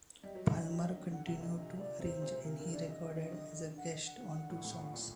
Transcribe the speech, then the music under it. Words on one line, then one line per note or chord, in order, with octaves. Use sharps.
Palmer continued to arrange, and he recorded as a guest on two songs.
G3 D#5
F#3
D#3
D3
D3 F#5
C3 F#5
A#2 D#5
D#5
D5
C3 C5
A#2
C3 A#4
D3 A#4
D3 D5
D3 D#5
D#3
D3
F#5
D#5
F#5
D#3
D3
A2
A2
A#2
A#2